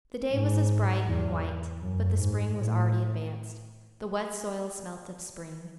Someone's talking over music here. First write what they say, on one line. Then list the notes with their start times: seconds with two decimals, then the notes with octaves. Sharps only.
The day was as bright and white, but the spring was already advanced. The wet soil smelt of spring.
0.31 G#2
1.06 E2
1.82 F#2
2.19 G#2
2.57 A2